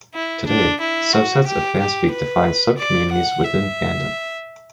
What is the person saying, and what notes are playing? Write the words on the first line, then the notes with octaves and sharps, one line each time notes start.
Today, subsets of fanspeak define subcommunities within fandom.
E4
D4
E4
F#4
G4
G4
B4
D5
F#5
E5